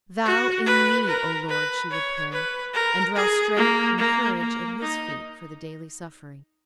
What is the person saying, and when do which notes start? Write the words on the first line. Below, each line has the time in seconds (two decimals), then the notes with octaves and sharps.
"Thou in me, O Lord," she would pray, and draw strength and courage at His feet for the daily suffering.
0.25 F#4
0.66 B4
1.07 A#4
1.49 B4
1.91 C#5
2.32 B4
2.74 A#4
3.15 G#4
3.56 A#3
3.98 A#3
4.40 A#3
4.81 D#4